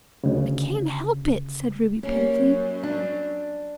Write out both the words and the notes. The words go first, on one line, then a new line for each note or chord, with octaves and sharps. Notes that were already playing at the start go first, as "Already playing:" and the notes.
"I can't help it," said Ruby pitifully.
D2 C#3
G3 A#3 C#4
F#2
D4